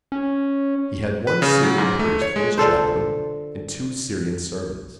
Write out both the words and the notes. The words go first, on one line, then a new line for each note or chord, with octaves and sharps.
He had one Syrian priest for His chaplain, and two Syrian servants.
C#4
B4
C#3
F#3
G#2
A3
C#5
G#3
D3 F4 A4 C5